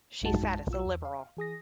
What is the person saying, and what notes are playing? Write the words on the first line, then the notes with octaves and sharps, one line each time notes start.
She sat as a Liberal.
A#1 F#2 G#3 D#4 F#4 A5
B1 F4 E6
E2
F5
E3 G#4 D#6 A#6